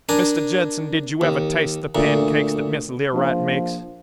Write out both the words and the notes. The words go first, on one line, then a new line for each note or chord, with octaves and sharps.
Mr. Judson, did you ever taste the pancakes that Miss Learight makes?'
D4 A#4 G#5
D#2
D2 A#2
A#1 F3